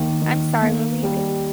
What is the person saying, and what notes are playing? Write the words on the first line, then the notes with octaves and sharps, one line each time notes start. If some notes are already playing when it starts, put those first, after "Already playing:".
I'm sorry, what were you g
Already playing: D#3 A#3
D#3
A#3
G3